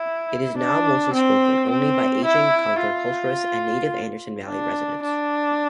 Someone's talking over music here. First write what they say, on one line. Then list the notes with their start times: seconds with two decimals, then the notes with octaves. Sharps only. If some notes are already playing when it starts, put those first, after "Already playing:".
It is now mostly spoken only by aging counter-culturists and native Anderson Valley residents.
Already playing: E4
0.58 D4
1.13 C4
1.70 C4
2.25 E4
2.81 F4
4.48 D4
5.04 D4